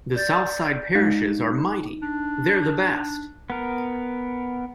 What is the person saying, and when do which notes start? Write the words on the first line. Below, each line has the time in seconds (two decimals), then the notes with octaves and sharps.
The South Side parishes are mighty-they're the best!
0.16 D5 G6 A6
0.95 G#3 D#4
2.02 D4
3.50 B3 A#4